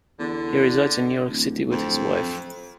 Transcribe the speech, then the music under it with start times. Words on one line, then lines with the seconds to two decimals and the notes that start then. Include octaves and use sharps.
He resides in New York City with his wife.
0.20 E2 D3
1.29 D1
1.72 F2